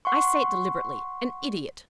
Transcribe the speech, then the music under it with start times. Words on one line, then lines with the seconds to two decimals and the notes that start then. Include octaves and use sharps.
I say it deliberately--an idiot!
0.05 F#5 C6 C#6